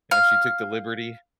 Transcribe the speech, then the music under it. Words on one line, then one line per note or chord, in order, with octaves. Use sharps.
Yeah, she took the liberty.
F5